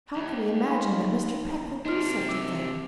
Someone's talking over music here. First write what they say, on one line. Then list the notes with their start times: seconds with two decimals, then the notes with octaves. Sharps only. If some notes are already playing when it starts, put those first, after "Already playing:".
"How could he imagine that Mr. Peck would do such a thing?"
0.16 D#2
0.69 F5 B5 C6
1.86 C3 D4 D#4 C6 F6
2.29 D6 E6